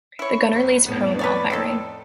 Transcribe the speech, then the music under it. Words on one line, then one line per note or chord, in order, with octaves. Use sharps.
The gunner lays prone while firing.
E4 C#5
G1
F2 A2 B3
B4 C#5 D5
C4 D#4 A4